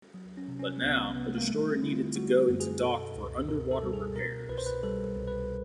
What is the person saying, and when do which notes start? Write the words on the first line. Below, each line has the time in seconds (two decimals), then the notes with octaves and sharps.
But now the destroyer needed to go into dock for underwater repairs.
0.14 F#3
0.37 C#4
0.48 C3
0.59 C#4
0.82 C2 B3
1.15 C3 B3
1.22 A#3
1.29 A3
1.38 A#3
1.44 G#3
1.48 G3 A3
1.70 C4
1.82 D3 E4
1.93 F4
2.15 G3 F#4
2.49 F#2
2.60 G#4
2.83 B2 A4
3.16 C#2
3.49 B2 A#4
3.71 A4
3.83 G3
3.93 G#4
4.16 B2 A#4
4.49 C2 B4
4.58 C5
4.66 B4
4.83 G3 A4
5.17 C2
5.27 B4